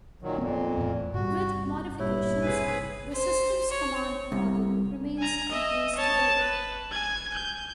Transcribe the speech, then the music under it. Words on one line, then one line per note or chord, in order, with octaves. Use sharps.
With modifications, the systems-command model remains in place today.
A#2 D#3 F#3
F2 A#2 B3 C4
E2 A2
G2 C3 G3 F#4
G2 A#2 G3 E4 C#5
C3 G#4 B4
C5
C#5
C2
G#5 A#5
D#5 E5
C#5 A5
B4
G#5 G#6
G6